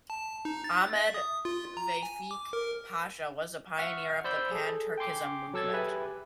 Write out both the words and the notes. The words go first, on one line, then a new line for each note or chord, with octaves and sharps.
Ahmed Vefik Pasha was a pioneer of the Pan-Turkism movement.
A5
D#4
A6
E5
D#6
F4
A#5
G#5
D6
A#4
E5 F#5 C#6 F6
C5 D5 B5 E6 G6
G#4 A4
G5 G#5 C6 D6
F#3 A4 E6 G#6 A6
G4 G#4 B4 E5 G#5